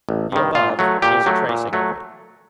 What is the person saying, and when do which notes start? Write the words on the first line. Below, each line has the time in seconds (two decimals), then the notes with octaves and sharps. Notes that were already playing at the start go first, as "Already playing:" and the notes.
The above is a tracing of it.
0.09 A1
0.32 G2 D#3
0.55 A#2 F4
0.79 F#3 A3
1.02 A#2 G4
1.26 F#3 A3
1.49 A#2
1.73 F#3 A3